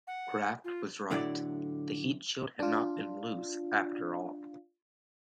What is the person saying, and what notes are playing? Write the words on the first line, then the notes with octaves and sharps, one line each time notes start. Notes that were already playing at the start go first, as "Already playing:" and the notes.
Kraft was right; the heat shield had not been loose after all.
F#5
F4
A2 D3 F#3 E4 D5
D4 F4